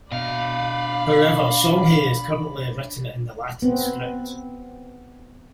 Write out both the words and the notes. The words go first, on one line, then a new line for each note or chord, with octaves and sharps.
However, Songhay is currently written in the Latin script.
B2 D4 D5 D#5 F5 B5
B3 C4